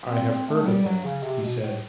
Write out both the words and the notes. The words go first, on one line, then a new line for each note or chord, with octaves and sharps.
"I have heard of him," he said.
C4
C4
A3
F#3
G3
F#3
C#3
C3
B2
A2